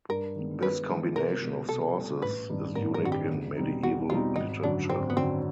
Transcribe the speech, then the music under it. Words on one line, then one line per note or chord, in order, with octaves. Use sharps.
This combination of sources is unique in medieval literature.
G2 A#4
D#3 G#3 B3
G2 B4
D#3 G#3 B3
C2 A#4
B2 G3
C2 A4
B2 G3
A1 B4
G2 D#3 G3 C4
A1 A#4
A#4
G2 D#3 G3 C4 F#4
G4
E2
B2 G3 C4 D#4
E2 F#4
B2 G3 C4 D#4 F4
G#1 D#4
F#2 D3 F#3 D4
G#1 C4
B3
F#2 D3 F#3 C4